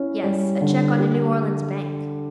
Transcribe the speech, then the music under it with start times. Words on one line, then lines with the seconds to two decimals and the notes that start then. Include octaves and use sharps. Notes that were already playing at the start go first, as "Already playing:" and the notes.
"Yes, a check on a New Orleans bank."
Already playing: C#4 E4
0.23 G3
0.61 D3
0.99 G4